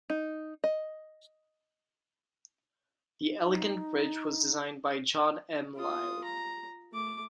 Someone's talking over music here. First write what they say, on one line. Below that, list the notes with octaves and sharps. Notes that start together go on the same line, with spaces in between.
The elegant bridge was designed by John M. Lyle.
D#4
D#5
D#4
F4 D#6
A#5
A3 D6